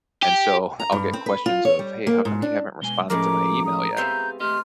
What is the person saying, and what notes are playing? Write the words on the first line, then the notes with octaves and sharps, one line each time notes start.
and so I'll get questions of, "Hey, how come you haven't responded to my email yet?"
G4
A#5
G2
C4
B4
F4
C#5
G3
A#3
G#2
D4
B2 G#3 G#5 G7
A2 F3 G#3 A3 C#4 A#4 A#5 D6
D#6
B3 C4 G4 G#4 E5 F5 G6
A3 G4 D#5 C6 F6